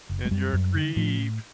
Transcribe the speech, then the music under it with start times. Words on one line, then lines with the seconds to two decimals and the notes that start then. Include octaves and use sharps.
"And you're a creep."
0.09 F#1
0.25 G#3
0.31 F#2 G3
0.53 F#2
0.75 D3
0.96 A2 F3